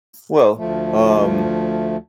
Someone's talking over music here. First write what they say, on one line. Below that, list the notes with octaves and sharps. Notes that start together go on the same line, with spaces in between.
Well, um,
D2 F3 A3